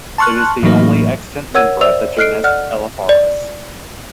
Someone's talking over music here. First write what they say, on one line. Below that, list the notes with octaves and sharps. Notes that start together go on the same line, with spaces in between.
It is the only extant member of the genus "Elaphurus".
A5 C6 C#6 F6 F#6
A2 E3 F#3 A#3 D#4
A#4 C#5 F#5 E6 G#6 D#7
C5 D5 E5 E6 F7
A4 D#5 F6 F#6 C7 D7
D5 F#5 F6 F#6
D5